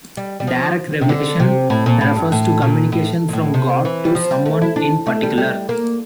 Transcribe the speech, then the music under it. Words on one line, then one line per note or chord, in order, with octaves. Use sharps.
Direct revelation refers to communication from God to someone in particular.
G3
G3
F3
C3
D3
C3
A2
A#2
A2
G2
A2
A#2
A2
A#2
A2
C3
E3
G3
F3
G3
A3
E4
D4
A3
G3
G3
A#3